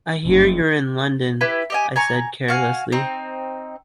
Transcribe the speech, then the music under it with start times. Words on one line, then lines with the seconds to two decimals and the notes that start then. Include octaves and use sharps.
"I hear you're in London," I said carelessly.
0.23 F#1
1.41 E4 G4 B4
1.70 G4 D#5 G#5
1.96 G#5 A#5 C#6
2.48 F#4 F5 G#5
2.92 C4 D#4